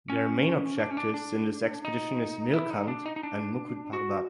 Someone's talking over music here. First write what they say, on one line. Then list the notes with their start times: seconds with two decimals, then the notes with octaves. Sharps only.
Their main objectives in this expedition is Nilkanth and Mukut Parbat.
0.10 C#4
0.80 D4
0.90 C#4
0.97 D4
1.14 D4
1.85 D#4
2.53 E4
2.70 D#4
2.88 D4
3.06 D#4
3.16 D#4
3.23 D4
3.93 F#4